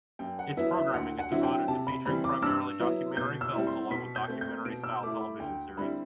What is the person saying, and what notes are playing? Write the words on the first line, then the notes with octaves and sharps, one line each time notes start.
Its programming is devoted to featuring primarily documentary films along with documentary-style television series.
F#2 G5
F#5
F#3 B3 E4 E5
E5
D2 F#5
F#5
D3 F#3 C4 E4
G5
C3 A5
B5
E3 G3 C4 B5
D6
G2 E6
F#3 B3 E4
B2 G6
E6
G3 C4 E4
C6
B2 B6
G6
A3 C4
G6
B2 D7
E6
A3 E4 D6
B5
D2 G5
D3 G3 C4 E4 B5